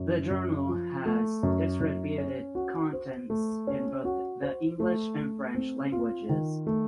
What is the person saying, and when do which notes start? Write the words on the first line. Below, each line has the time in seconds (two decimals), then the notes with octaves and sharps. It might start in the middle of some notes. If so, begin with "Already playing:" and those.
The journal has distributed contents in both the English and French languages.
Already playing: F#2
0.30 F#2
0.68 F3
1.06 A3
1.43 F#2
1.80 F#2
2.18 C#4
2.55 F#4
2.93 C5
3.30 A3
3.67 C#4
4.05 F#4
4.42 C5
4.80 A3
5.17 A3
5.55 C4
5.92 F4
6.29 D#3
6.67 A3